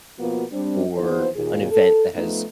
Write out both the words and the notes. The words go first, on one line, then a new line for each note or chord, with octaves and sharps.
or an event that has
B2 F3 A#3 B3 F4 F#4
G3 C4 D4
D#2 E3 F3 B3 C5
D#2 A#2 G#4
A4
F3 A3 B3 D#4